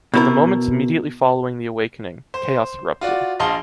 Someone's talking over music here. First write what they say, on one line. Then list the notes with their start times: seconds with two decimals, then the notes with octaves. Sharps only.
In the moments immediately following the awakening, chaos erupted.
0.14 B2 E4 A#4
2.34 C5
3.01 F4 F#4 D5
3.40 A#1 D#5 F5 A5 C6 G7